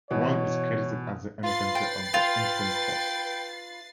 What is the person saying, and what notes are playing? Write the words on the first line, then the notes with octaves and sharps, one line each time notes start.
Wang is credited as the inventor of the Instant Pot.
B2 E3 C#5
F4 B4 A6 C7
G5
F4 G5